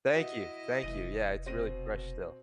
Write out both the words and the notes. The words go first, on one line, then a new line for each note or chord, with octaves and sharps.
thank you, thank you. Yeah, it's really fresh still.
E4 F#4 D#5 E5
F1 E3 D#7
B2 C4 A#6 D#7